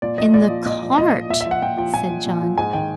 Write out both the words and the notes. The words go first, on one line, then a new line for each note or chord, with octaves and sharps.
"In the cart," said John.
A#2 D5
F3 D#5
A#2 D5
F3
A#2 D#5
F3
A#2 D#5
F3
A#2 E5
F3 E5
F#5
A#2 G5
F3 G5
A#2 G#5
F3
A#2
F3
G#2 G#5
D#3 G5